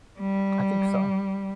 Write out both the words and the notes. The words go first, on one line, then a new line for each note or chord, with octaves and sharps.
I think so.
G3